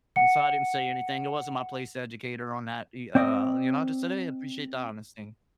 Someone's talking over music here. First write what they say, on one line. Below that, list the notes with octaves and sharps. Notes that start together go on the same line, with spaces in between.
and so I didn't say anything, it wasn't my place to educate her on that, e uh uh, you know, just today, I appreciate the honest thing.
F#5 C#7
C4 D5 D#5